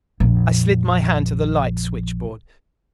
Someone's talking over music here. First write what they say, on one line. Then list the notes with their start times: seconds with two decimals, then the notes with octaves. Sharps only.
I slid my hand to the light switchboard.
0.20 A#1 F2